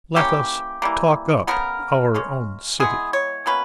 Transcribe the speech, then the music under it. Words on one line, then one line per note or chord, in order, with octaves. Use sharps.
Let us talk up our own city.
E3 A#3 C#4 G4
E3 G3 A#3
C#3 G#3 B3 A#4
C#3 G#3 C#4
E3 G#3 B3 G#4
C#5
B2 A#3 C#4 B4